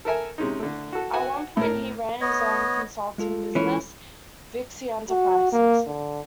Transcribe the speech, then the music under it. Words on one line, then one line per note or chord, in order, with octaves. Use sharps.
At one point he ran his own consulting business, Vixie Enterprises.
A4 A#4 E5 G#5
C3 G#3 C#4 D#4
D3 A3
F#4 A4
F#4 B4 E5 F#5 G#5
A2 A#4
B3 C#5 D#5
G#3 F4 A4
E3 C#4 E4
F#4
A#3
D3